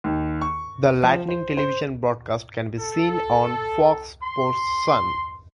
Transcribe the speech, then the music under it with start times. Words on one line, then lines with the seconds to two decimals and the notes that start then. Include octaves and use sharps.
The Lightning television broadcasts can be seen on Fox Sports Sun.
0.04 D#2
0.41 C#6
1.03 F3
1.29 C5
1.57 C5
2.80 A4
4.23 C6